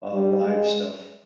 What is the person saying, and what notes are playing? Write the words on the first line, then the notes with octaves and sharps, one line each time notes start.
uh, live stuff.
G3
G#3